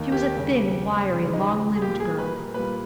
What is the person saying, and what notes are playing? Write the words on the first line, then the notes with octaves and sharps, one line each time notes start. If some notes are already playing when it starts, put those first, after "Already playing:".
She was a thin, wiry, long-limbed girl.
Already playing: D#2 D#3 A#3
G4
D#2 C#3 G3
D#2 C#3 G3
D#4
G#4
A#2 G3 A#3 G4
G#4
B4
A#4
A#2 G3 A#3 B4